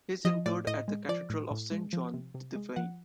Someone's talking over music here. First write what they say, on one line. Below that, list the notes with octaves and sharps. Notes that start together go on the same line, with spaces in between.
He is interred at the Cathedral of Saint John the Divine.
F3 D#5
A2 D5
A2 D#5
G#3
F3 D5
A2
A2
G#3
F3
C3
C3
G#3
F3 F#5